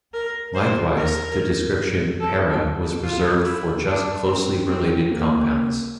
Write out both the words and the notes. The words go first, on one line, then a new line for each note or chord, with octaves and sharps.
Likewise, the description "para" was reserved for just closely related compounds.
A#4
C5
A#4
A4
F4
E4
D4
C4
C4
A#3